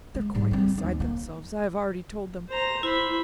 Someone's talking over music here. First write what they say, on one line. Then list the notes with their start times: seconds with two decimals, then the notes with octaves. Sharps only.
"They're quite beside themselves; I have already told them..."
0.15 G#3
0.35 G#2 G3
0.51 G3 C4
0.78 D#2
1.00 A#3
2.49 C5 A#5
2.83 E4 C5 B5